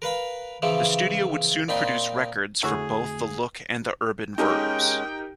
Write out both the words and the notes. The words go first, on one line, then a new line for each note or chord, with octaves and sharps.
The studio would soon produce records for both the Look and the Urban Verbs.
A#4 B4 F5 B5
C#3 E3 F3 E4
A#2 C4 D#4 B5 C6
F2 D3 A3 E4 F#4 G#4 C#5
G#3 C#4 D#4 G4 A#4 G5